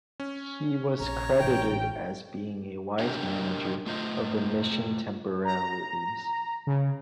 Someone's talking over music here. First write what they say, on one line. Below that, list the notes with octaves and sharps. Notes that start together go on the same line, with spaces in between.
He was credited as being a wise manager of the mission temporalities.
C#4
A#1 C#5 A#5
A1 D#4 G5
D4 G4 A#4 D#5 G5 G#5
A3 F4 C5 D#5
A#5
C#3